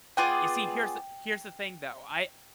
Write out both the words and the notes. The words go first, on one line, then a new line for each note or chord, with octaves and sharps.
You see, here's the here's the thing, though. I,
B3 F4 G#4 D5 G5